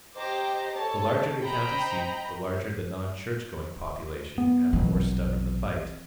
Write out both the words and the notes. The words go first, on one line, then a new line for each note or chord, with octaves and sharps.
The larger the county-seat, the larger the non-church-going population and the more stubborn the fight.
G4 C5 D#5 A#5 D6
A4 C#5 A5
C5 D#5 G5 A#5 B5
B3
A#1 B2 E3 F#3 C4